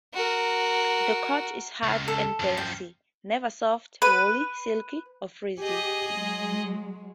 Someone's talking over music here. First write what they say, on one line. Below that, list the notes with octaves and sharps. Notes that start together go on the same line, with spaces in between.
The coat is hard and dense, never soft, woolly, silky or frizzy.
F#4 A#4
C#2
A4
F#2 F3
G5
B4
G4 G#4 D#5
F#3 G#3